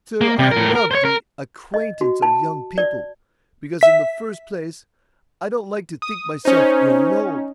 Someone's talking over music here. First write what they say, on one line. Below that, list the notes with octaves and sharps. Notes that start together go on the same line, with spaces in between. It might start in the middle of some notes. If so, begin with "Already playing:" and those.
'Sir, I love the acquaintance of young people; because, in the first place, I don't like to think myself growing old.
A#3
C3
A2 A#4
A#4
C5 C#5
A#4
D#5
F#4
A5
D5
E5 B6
D#6
C#4 D#4 C5